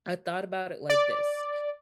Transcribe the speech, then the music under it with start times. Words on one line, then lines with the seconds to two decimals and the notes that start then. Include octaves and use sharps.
I thought about it like this
0.89 D5